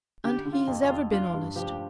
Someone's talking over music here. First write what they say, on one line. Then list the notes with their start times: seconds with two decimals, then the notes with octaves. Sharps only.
And he has ever been honest.
0.24 D3 G4
0.46 D3
0.53 F4
0.67 F2
0.82 F4
0.89 F2
1.11 D4 F4
1.34 G2
1.56 F3 G4